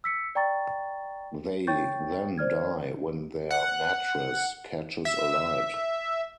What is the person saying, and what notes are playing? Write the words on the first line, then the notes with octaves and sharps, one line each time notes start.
They then die when their mattress catches alight.
E6 B6 C#7
D5 G5 A#5 C#6 A6
C#5 G5 C#6 G6 A6
C5 D5 F6 G#6
F#5
E5